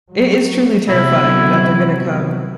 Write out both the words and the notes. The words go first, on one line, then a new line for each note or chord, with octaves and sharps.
It is truly terrifying that they're gonna come
F#3
C3 F#3 B3 E4